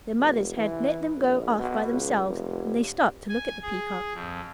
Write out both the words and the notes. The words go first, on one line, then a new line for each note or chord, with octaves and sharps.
Their mothers had let them go off by themselves, and they stopped to look at the Peacock.
F1
E3
A#1
B2
C#2
F1
G#5
G#4
F2